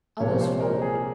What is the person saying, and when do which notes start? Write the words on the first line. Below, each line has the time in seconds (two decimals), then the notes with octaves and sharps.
Others followed.
0.20 C2 A#2 F3 G#3 C#5
0.41 C5
0.60 A#4
0.82 G#4